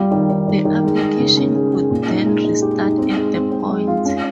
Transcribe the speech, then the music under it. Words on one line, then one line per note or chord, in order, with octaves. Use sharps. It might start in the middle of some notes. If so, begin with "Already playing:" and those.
The application could then restart at that point.
Already playing: G3 F4
D#3
D#3
D#3
D#3
G#3
G#4
C#3
C#4
G#4
G#4
A#2
D#4
G#3
G#3
G4
D#4
C4
G#3
C4
C4
G#3
F4
C#4